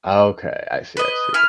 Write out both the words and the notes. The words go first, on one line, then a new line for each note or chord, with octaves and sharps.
Okay. I see, I see.
B4 D#5
E4 G#5 F6